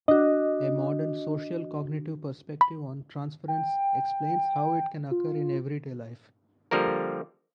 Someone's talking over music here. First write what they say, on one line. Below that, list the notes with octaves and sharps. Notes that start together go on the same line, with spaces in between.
A modern, social-cognitive perspective on transference explains how it can occur in everyday life.
D4 F#4 D#5
B5
G5
F4
D3 F3 G3 A#3 A#4